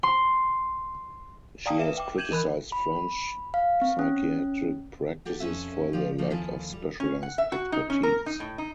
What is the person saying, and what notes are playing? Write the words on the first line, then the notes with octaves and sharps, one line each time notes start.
She has criticized French psychiatric practices for their lack of specialized expertise.
C6
D5 F5 G5 A5 A#5 D#6
B4 E5 E7
G5 D6
G6 G#6 D#7 E7 F#7
E3 A#4 B5 F#6
B5
F5
C4
C#4
F#4 G4 A4
F2 C#4 B4 E5
F3 G4 D5
F3 G3 A3 A#3
D#2 F3 E4 A4 G#5
G3
C#4
F#5
E5
F#4
D#4
C#4
A#4
D#4
A2
D#4